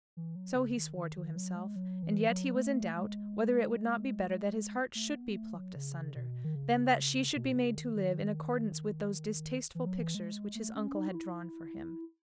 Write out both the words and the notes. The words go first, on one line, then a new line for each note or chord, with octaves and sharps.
So he swore to himself;--and yet he was in doubt whether it would not be better that his heart should be plucked asunder, than that she should be made to live in accordance with those distasteful pictures which his uncle had drawn for him.
E3
F#3
C#3
D#3
D#3
D#3
F#3
G#3
F#3
E3
F#3
A3
G#3
A3
B3
A3
F#3
C#3
B2
D#3
C#3
B2
C#3
D#3
D#3
E3
F#3
E3
G#3
A3
C#4
D#4
F#4
E4